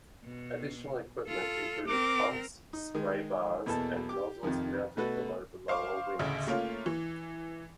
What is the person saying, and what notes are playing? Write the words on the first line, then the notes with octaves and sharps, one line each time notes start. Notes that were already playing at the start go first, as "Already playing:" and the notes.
Additional equipment included pumps, spray bars, and nozzles mounted below the lower wings.
B2
F4 A4
C4 A#4 D6
D#4
D#3 G#3
E2 B2 A#3 A4 A5
G4 D6
F2 C3 D#3 F3
B2 A3 F#4 A4 B4
C5 F5 C#6 D6
A1 D2 C#3 E5
A3 A#3 C#4 F4
E3